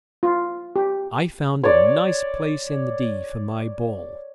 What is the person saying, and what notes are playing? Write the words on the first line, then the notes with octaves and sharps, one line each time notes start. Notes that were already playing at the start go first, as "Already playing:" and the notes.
I found a nice place in the "D" for my ball.
F4
G4
C#5 D5